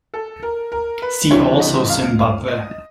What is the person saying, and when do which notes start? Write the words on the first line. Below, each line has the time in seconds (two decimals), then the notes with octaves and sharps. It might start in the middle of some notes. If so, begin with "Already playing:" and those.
See also Zimbabwe.
0.14 A4
0.43 A#4
0.72 A#4
1.02 B4
1.30 D2 C3 E3 G3 C#5
1.60 D#5
1.90 F5
2.19 F5
2.48 D#5